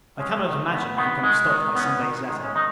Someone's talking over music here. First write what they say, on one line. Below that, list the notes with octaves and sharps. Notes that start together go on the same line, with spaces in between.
I cannot imagine, who can have stopped my Sunday's letter!
G#3 C#4
D#3
B3
D#3 B3
G#3
D#3
B3 C#4
D#3
G#3
C#4
D#3 D#4